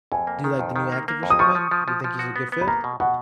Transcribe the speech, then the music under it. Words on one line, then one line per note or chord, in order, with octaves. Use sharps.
Do you like the new actor for Superman? You think he's a good fit?
F2 G#5
A#3
D#3
F2
D#3
A#3
A#3
F2
D#6
F3 C#6
F3
F3
F3
F3
F#4
B3
B3
B5
A#3 A#5
B2
B2 F#5